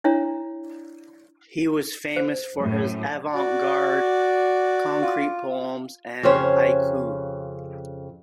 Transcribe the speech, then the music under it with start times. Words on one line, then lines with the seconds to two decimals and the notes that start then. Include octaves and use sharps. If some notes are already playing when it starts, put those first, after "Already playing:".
He was famous for his avant-garde concrete poems and "haiku".
0.04 D4 E4 C#5 E5 A#5
2.16 C5
2.57 F#2 A2
3.34 F#4 D5
5.03 F4
6.23 F2 C#3 G4 C5 C#5